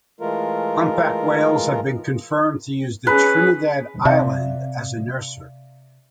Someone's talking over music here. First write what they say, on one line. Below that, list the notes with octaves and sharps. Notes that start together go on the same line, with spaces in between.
Humpback whales have been confirmed to use the Trindade island as a nursery.
E3 G#3 A3 F4 A#4
C#4 G#4 B4
C3 D5 E5 F5